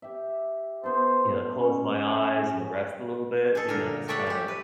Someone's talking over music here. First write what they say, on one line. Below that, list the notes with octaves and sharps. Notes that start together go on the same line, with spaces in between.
you know, close my eyes and rest a little bit, you know, just kind of
G4 E5
B3 D#4 A4 C5
C#4
G#2 C#5
G#4 A4
A#2 D3 A#4
G3 A4 C#5 D5 E5 F#5
G#3 G4
B4